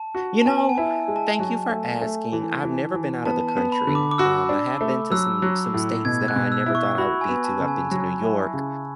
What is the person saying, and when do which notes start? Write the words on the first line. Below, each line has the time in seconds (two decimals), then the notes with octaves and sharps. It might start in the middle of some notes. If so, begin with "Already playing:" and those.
You know, thank you for asking. I've never been out of the country. Um, I have been to some some states that I never thought I would be to, I've been to New York,
Already playing: A5
0.15 F#4
0.42 A5
0.45 B3 G#5
0.69 G#5
0.78 E4
1.08 G#3
1.16 A5
1.39 F#3
1.70 A3
2.02 A3
2.33 E3
2.63 E3
2.94 E3
3.25 B3 A5
3.49 A5
3.57 B3
3.72 B5
3.87 D3
3.95 D6
4.11 D6
4.18 F#4 E6
4.49 D4
4.81 A3
5.11 F#3 E6
5.42 F#3
5.74 A2
6.05 B2 G#6
6.28 F#6
6.36 B2
6.52 E6
6.66 E4
6.75 C#6
6.98 F#4 B5
7.21 G#5
7.29 B3
7.44 A5
7.60 C#3
7.68 G#5
7.91 F#3
8.22 E4
8.53 C#3